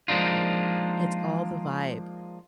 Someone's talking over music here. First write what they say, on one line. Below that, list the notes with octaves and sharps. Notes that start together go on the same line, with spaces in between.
it's all the vibe.
F3 G#3 A#3 D4 D#4 F4